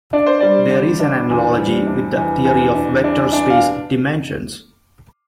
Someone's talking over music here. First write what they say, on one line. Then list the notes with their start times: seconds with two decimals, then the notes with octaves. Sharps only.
There is an analogy with the theory of vector space dimensions.
0.13 D4 D5
0.26 C5
0.40 G3 D5
0.71 D3
1.00 D4
1.30 E2
1.59 G3
1.87 D4
2.17 E2
2.45 E2
2.75 D4
3.04 D4
3.33 D4
3.50 F5